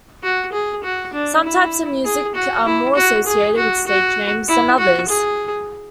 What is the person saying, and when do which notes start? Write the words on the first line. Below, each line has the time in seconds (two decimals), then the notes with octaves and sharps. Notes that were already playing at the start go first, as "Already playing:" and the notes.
Some types of music are more associated with stage names than others.
0.23 F#4
0.53 G#4
0.84 F#4
1.14 D4
1.44 E4
2.05 G#4
2.35 F#4
2.66 E4
2.95 F#4
3.27 G#4
3.57 F#4
3.87 F#4
4.48 E4
4.78 F#4
5.08 G#4